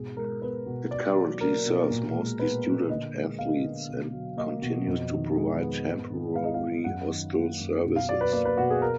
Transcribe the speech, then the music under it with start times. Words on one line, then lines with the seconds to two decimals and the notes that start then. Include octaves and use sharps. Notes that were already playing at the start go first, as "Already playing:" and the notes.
It currently serves mostly student athletes and continues to provide temporary hostel services.
Already playing: G#2 B2 G#4
0.17 G#3 A#4
0.42 B3 B4
0.66 B2
0.91 B2 D5
1.16 F#3
1.41 A#3 A#4
1.66 B2
1.90 A#2
2.15 G#3
2.39 B3 B4
2.64 A#2
2.89 D3 D#5
3.14 G#3
3.38 B3 F5
3.63 D3
3.89 B2
4.13 F#3
4.37 A#3 D#5
4.62 B2
4.87 F2
5.11 D#3
5.36 G#3
5.61 B3
5.86 G#2
6.10 D#3
6.35 G#3 F5
6.44 D#5
6.54 F5
6.61 B3
6.84 F#2 F#5
7.10 D#3
7.35 A#3
7.59 F#2
7.84 B2
7.96 F5
8.08 F#3 D5
8.21 B4
8.33 A#3 D5
8.45 B4
8.57 B2 F#4
8.70 G#4
8.82 A#4